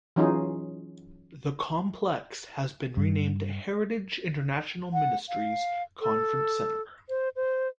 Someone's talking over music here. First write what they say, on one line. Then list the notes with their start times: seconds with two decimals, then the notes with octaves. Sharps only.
The complex has been renamed Heritage International Ministries Conference Center.
0.16 E3 F#3 C#4 D#4 F4 G#4
2.97 G2
4.93 F#5
5.29 F5
6.01 A4
7.09 C5
7.36 C5